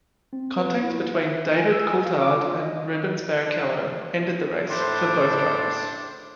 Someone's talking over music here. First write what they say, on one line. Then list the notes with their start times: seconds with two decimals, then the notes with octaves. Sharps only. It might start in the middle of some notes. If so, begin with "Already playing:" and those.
Contact between David Coulthard and Rubens Barrichello ended the race for both drivers.
0.33 C4
0.58 B4
0.82 E4
1.14 E5
1.57 G#5
1.72 E6
1.87 G#5
2.06 F5
2.21 D6
2.38 F4
2.61 D#5
4.68 A2 D4 C5